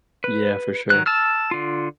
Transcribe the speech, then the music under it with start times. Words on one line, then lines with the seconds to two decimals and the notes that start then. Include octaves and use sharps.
Yeah, for sure.
0.24 B4
0.90 D#3 F#3 F#6
1.06 A5 E6 F6
1.51 D3 F4